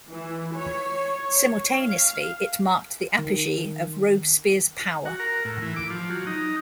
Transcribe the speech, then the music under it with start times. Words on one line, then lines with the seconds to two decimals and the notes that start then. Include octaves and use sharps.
Simultaneously it marked the apogee of Robespierre's power.
0.11 E3
0.57 C#5
1.79 F5
3.19 D#3
5.05 F#4
5.20 A#4
5.45 A2
5.62 E3
5.76 D6
5.90 F3
6.10 F#3
6.27 D#4